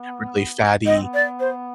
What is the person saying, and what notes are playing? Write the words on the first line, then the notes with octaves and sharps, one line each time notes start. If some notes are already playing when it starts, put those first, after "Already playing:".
really fatty,
Already playing: B3
B3 D#5
C4
B3
D5
C5